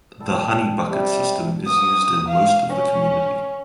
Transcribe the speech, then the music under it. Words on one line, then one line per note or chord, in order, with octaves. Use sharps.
The honey bucket system is used in most of the community.
G3 A4
C3 G3
D#6
F5
C#4